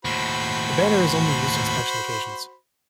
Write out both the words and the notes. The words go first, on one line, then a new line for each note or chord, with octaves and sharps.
The banner is only used on special occasions.
D#2 A2 F#4 C5 B5